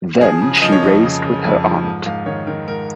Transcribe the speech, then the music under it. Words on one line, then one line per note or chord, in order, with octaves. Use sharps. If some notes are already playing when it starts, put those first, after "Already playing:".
Then she raised with her aunt.
F3 G#4
C#3
F3 D#5
C#5
F2 D#5
C#3
C#3
F2
F3
G#2
G#2 F5
D#3 C#5
D#3 A#4
G#2 A#4